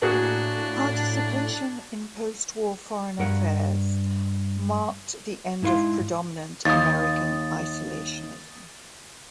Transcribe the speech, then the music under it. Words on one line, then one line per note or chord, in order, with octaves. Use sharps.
Participation in postwar foreign affairs marked the end of predominant American isolationism.
A2 A#3 D4 F#4 G#4
G2 A#4 F#5
G#2 E4 B4 F5 C6
D#2 D#6 A6